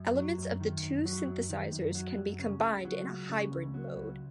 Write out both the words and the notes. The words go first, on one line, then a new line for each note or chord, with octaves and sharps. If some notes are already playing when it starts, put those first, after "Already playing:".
Elements of the two synthesizers can be combined in a "hybrid" mode.
Already playing: F#2
F#3
F#2
D#3
F#2
F#3
F#2
D#3
F#2
F#3
F#2
C#3
C#2
F#3
C#2
C#3
C#2
F#3
C#2